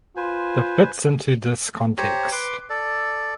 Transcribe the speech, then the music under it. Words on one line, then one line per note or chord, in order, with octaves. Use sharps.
The fits into this context.
F4 B4 C5 G#5
G4 C5 C#5 A#5
B4 C6 D6
A4 D5